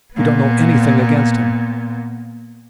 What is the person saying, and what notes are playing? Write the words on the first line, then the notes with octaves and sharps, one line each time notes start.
"We don't know anything against him!"
A#2 B3